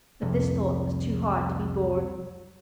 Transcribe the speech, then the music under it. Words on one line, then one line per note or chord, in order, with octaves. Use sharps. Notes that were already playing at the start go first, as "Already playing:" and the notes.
But this thought was too hard to be borne.
C2 F2